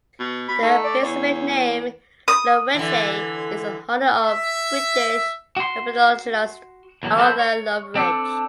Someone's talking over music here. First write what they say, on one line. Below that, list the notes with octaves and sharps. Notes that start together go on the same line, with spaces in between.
The specific name, "loveridgei", is in honor of British herpetologist Arthur Loveridge.
B2
B2 B5
A3 D#4
D5
E2 C#5
D#6
D3 E3
E5
F#4 C6
E2 F#3 A#3
F3 A3 C4 C5 A5 B5
C#5
C4 D4 A4